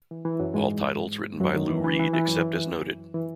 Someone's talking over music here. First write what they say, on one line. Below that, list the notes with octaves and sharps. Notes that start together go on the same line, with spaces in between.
All titles written by Lou Reed except as noted.
E3
E3
F#2 F#3
G#2 G#3
F#2 F#3
D#3
E3
E3
E3
E3
F#2 F#3
E3